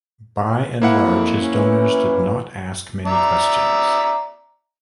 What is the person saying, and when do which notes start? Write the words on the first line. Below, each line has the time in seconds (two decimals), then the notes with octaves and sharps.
By and large his donors did not ask many questions.
0.82 F3 A#3 E4 F#5
1.03 F2
1.41 C#4
1.54 E3
3.06 D5 E5 A#5